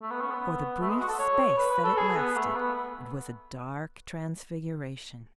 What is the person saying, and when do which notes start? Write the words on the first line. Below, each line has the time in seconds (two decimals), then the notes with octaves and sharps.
For the brief space that it lasted, it was a dark transfiguration.
0.02 A3
0.10 B3
0.21 C#4
0.30 B3
0.80 A3
0.89 G#3
0.99 F#4
1.09 A4
1.19 C#5
1.57 B4
1.71 B4
1.84 A4
1.97 G#4
2.17 B3
2.36 A3
2.55 B3